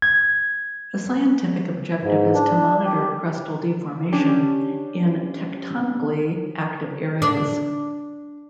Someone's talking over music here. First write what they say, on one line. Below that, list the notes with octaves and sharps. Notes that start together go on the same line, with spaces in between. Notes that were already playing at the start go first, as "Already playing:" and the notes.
The scientific objective is to monitor crustal deformation in tectonically active areas.
G#6
G#2
D4
G4
C#4 D4 G4
D4